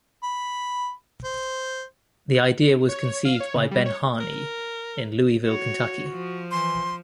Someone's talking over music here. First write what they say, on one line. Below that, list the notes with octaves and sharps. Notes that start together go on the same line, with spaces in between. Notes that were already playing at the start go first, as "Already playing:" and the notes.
The idea was conceived by Ben Harney, in Louisville, Kentucky.
B5
C5
C#5
F5
C#5
C#3
G3
C#5
A#4
F#4 C#5
F3
E3 C6